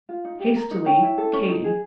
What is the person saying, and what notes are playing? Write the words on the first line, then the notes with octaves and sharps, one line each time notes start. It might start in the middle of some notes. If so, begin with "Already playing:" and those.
Hastily, KATY.
F4
D#4
G4
A#4
D#4
C#4 G5
E4
A4
C#4
D#4
G#4